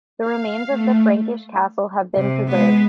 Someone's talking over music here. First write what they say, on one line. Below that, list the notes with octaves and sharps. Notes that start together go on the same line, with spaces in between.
The remains of the Frankish castle have been preserved.
F5
A3
C3
G#3 B3